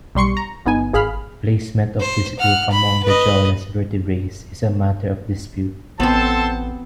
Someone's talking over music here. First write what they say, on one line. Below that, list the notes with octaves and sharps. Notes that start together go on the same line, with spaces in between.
Placement of this group among the jawless vertebrates is a matter of dispute.
B1 G3 C6 C#6 C#7
A#5
G1 B3 D#4 G#5
G#1 G#4 F5 B5 F6
C5
F#5 F6
B5
B4 D#5
A1 B3 C4 A4 C5 A5